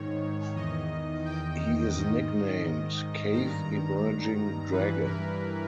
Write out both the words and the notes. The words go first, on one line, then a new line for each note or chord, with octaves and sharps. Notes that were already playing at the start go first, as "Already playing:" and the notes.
He is nicknamed "Cave Emerging Dragon".
Already playing: G#2 D#3 C#5
E2 D#3 D#5
G5
G#2 D#3 D#5
G2 D#3 A#5
G2 E3 B4
A#4